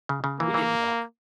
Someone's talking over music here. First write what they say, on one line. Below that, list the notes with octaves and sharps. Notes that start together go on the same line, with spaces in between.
We didn't walk.
C#3
C#3
E3 A#3
E3